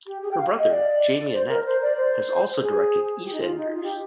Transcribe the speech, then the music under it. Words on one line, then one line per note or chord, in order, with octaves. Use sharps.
Her brother, Jamie Annett, has also directed "EastEnders".
G4
G#4
G5
F5
D#5
D5
C5
C5
A#4
C5
D5
C5
G#4
F4
G4
D#4
F4
D#4
F4
G4